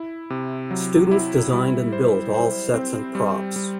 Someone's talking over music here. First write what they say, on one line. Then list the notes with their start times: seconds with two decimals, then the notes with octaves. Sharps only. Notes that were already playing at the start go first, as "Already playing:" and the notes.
Students designed and built all sets and props.
Already playing: E4
0.30 C3
0.71 F#3
1.11 E4
1.53 G3
1.93 C5
2.34 C5
2.74 C4
3.15 G3
3.56 G3